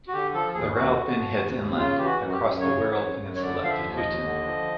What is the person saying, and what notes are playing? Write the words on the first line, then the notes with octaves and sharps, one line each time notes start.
The route then heads inland, across the Wirral peninsula, to Hooton.
F#4
D3 G4
F3 A4
D#2 G#4
D#2 F#4
D3
F3
D#2
D#2
C#3 F4
E3 G4
F#4
F#2
F#4
G4
F#2
C#3 C#5
E3
F#2
F#2
C#5
D3 D5
F3 F5
E5
D#2
D#5
D#2
D3
F3